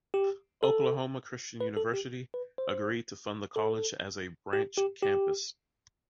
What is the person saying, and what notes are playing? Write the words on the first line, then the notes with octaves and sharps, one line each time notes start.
Oklahoma Christian University agreed to fund the college as a branch campus.
G4
A4
B4
A4
G4
B4
C5
A4
G4
G4
G4